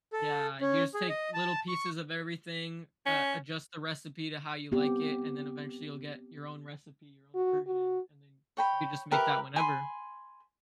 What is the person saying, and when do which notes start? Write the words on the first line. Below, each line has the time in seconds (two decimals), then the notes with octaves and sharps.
Yeah. You just take little pieces of everything, uh, adjust the recipe to how you like it, and then eventually, you'll get your own recipe, your own version, and then you could just make that whenever.
0.13 A4
0.61 C#4
0.94 G#4
1.09 D#5
1.34 A5
1.68 C#6
3.06 C#4
4.72 B3 C4 G4
7.35 F#4
7.67 F#4
8.57 C#5 G5 B5
9.11 G4 A#4 B4 E5
9.56 G#5 B5 C6